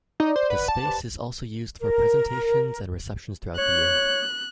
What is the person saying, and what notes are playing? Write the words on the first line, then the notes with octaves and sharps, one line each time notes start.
The space is also used for presentations and receptions throughout the year.
D#4 D5
C5
B4 F#5
A5
G4 B4 C5
A#4
C#5 F#6